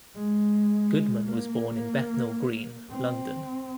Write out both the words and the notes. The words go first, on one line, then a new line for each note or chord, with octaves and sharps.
Goodman was born in Bethnal Green, London.
G#3
A#3
C4